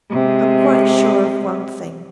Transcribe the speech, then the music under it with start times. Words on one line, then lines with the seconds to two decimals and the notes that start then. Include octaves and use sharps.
I'm quite sure of one thing.
0.10 C3 G#3